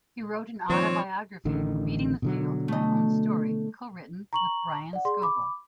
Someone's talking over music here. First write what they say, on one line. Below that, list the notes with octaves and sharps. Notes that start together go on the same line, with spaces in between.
He wrote an autobiography "Beating the Field: My Own Story" co-written with Brian Scovell.
A#2 D#3 F3 C4 C#5
A1 D3 D#3
B2 D3 F#3
A3 D#5
A#5 C#6 F#7
D5 F#5
G#4 D5 C6
B5 D6